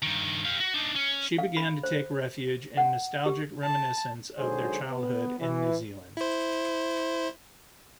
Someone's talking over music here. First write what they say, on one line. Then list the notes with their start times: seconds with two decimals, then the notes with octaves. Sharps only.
She began to take refuge in nostalgic reminiscences of their childhood in New Zealand.
0.02 G2 D#3
0.45 G4 F5
0.60 F#4
0.74 D4 D#4
0.95 C#4
1.38 F5
1.57 B5
1.83 C5
2.77 F#5
3.26 G4
3.62 A5
4.38 G#1 D3 F#3 G#4 C5
4.89 B3
5.39 E3
6.17 E4 C5